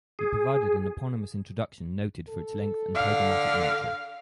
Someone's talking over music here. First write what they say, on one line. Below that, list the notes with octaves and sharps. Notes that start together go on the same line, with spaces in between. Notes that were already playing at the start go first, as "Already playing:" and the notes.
He provided an eponymous introduction noted for its length and programmatic nature.
G#4
A4
D3 F5